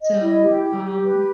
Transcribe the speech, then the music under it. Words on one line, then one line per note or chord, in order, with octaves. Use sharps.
So, um
D#5
E4
G4
G4
G4
B4